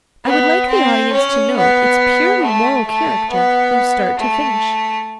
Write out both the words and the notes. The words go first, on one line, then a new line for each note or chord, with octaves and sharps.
I would like the audience to note its purely moral character from start to finish.
B3
C4
C#4
B3
A3
A3
B3
A3